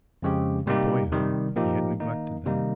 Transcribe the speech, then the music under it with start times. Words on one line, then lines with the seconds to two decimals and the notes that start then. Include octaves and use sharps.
From boyhood he had neglected them.
0.22 F2 C#3 G#3 C4 G4
0.67 C3 G3 A#3 D#4 G4
1.12 C3 D#3 G3
1.56 A#2 F3 A#3 D#4 G4
2.00 D#3 A#3 D#4
2.45 C3 D#3 G3 A#3 D#4